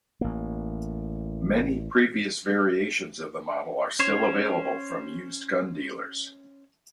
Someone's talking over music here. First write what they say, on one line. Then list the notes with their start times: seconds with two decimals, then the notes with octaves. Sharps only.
Many previous variations of the model are still available from used gun dealers.
0.21 A1 A#3
3.99 C#4 C5 C#5